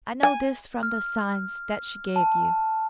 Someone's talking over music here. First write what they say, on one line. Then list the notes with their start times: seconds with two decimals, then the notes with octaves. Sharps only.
I know this from the signs that she gave you.
0.23 G#5
0.83 F6
2.16 A5